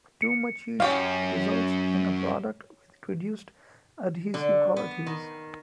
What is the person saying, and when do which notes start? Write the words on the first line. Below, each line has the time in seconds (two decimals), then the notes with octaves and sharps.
Too much heat results in a product with reduced adhesive qualities.
0.22 C#7
0.80 F#2 C#4 G4 F5
4.34 D3
4.76 B3
5.06 D#3